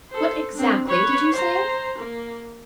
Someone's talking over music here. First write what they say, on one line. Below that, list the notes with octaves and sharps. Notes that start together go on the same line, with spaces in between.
What exactly did you say?'
A4 C5
C4 D4
B4 C#5
C5 A#5
A#3